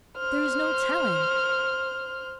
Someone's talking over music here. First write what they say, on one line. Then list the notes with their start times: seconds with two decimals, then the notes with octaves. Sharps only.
'There is no telling.
0.17 C5 F6